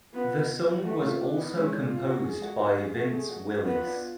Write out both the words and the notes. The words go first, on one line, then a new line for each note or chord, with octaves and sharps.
The song was also composed by Vince Willis.
B3 F4
A3 F#4
F4
D4
B3
G#3 C#4
D4
F4
F#4
G#3 G#4
F#4
F#4
G#4
A3 F#4
G#4
F#4
F#4
B3 F#4
F4
D4
F4